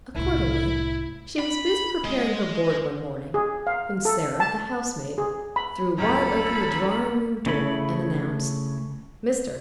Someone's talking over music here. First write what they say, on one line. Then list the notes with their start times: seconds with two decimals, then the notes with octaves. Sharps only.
Accordingly, she was busy preparing her board one morning, when Sarah, the housemaid, threw wide open the drawing-room door and announced, 'Mr.
0.15 C2 A2 E4
1.39 B5
2.04 G#3
3.34 G#4
3.67 F5
4.05 A4
4.40 A5
5.18 G#4
5.56 B5
5.98 C#2 F#2 F#3 C#4 F4 A4 B5
7.46 C#3 A3 E4 C#5 B5